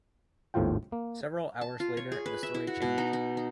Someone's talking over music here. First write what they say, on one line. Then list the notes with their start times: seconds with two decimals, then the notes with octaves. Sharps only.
Several hours later the story changed.
0.54 G#1 D#2 A2 F3 F4 G5
0.92 A#3
1.61 A5
1.80 F4
1.97 C#5
2.12 G#4
2.26 B4
2.43 E5
2.54 E4
2.67 F#4
2.82 B2
2.98 D#4
3.13 D#4
3.37 D#4